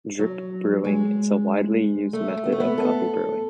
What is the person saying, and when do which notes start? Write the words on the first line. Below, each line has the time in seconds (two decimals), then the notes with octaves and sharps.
Drip brewing is a widely used method of coffee brewing.
0.19 F#3
0.84 G#3
2.13 A3
2.45 B3
2.52 A3
2.60 B3
2.78 A4